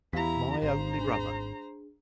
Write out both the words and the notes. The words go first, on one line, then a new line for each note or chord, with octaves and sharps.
My only brother!
E2 E4 G4 F5 A#5 B6
G#1 C5 A#5
D4 G#4